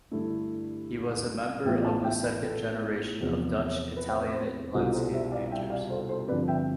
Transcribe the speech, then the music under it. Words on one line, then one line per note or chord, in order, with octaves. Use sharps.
He was a member of the second generation of "Dutch Italianate landscape" painters.
G2 D3 A3 E4 A4
A1 A2 E3 B3 F4 E5 G5
F5 A5
E5 G5
B4
A4
E2 C3 F3 B3
B4
C5
B4
C5
B4
C2 B2 G3 D4 F4 A4 C5
A4 C5
C5 E5
D5 F5
E5 G5
D5 F5
A4 C5
A4 C5
G1 G2 F3 C4 B4 D5
E5 G5